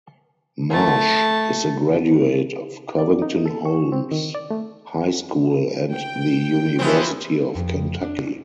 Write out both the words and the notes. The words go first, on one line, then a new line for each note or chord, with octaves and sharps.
Marsh is a graduate of Covington Holmes High School and the University of Kentucky.
A3 A5
D5
D#4
A4
C#6
C4
D#3
D5
A3
G5
E3 F3 B3 C4
F2
D4